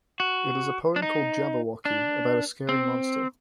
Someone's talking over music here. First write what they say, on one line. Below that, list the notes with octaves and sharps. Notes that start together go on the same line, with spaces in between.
It is a poem called "Jabberwocky" about a scary monster.
F#4
D4
D#4
D4
C4